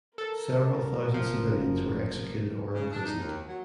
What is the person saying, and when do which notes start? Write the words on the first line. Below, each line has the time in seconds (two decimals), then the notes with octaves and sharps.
Several thousand civilians were executed or imprisoned.
0.18 A4 A#4
1.14 F#1 F3
2.75 C#3
2.91 D4
3.04 D#4
3.20 D#2
3.47 F#3